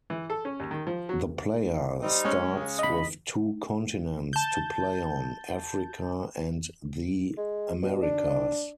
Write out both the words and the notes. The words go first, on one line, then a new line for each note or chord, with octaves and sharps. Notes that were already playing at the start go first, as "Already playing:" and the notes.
The player starts with two continents to play on, Africa and the Americas.
E3
A4
C#4
D#2
D#3
F3
F#3
G3 C4 D#4
G#3 C#4
C#3
D#5 B5
A5 G6
G#3
B2
D4